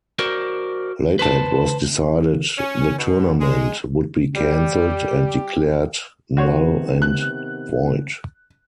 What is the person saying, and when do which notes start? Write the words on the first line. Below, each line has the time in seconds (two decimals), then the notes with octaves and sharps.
Later it was decided the tournament would be cancelled and declared null and void.
0.19 F#4 A#4 C5 D5
1.19 B4 C5 A5
2.58 C#4
2.98 B2
3.40 G#3
4.36 G3 G4
6.37 C3 D#3 B3 F#4 C5 C#5
7.02 F#6